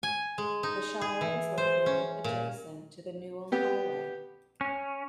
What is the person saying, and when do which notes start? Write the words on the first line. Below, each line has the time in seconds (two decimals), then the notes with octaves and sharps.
The Shire was located adjacent to the Newell Highway.
0.03 G#5
0.38 G#3
0.63 D#4
1.01 G#4
1.21 E3
1.58 C5
1.86 C#4
2.24 A#2
3.52 B3 G4
4.61 C#4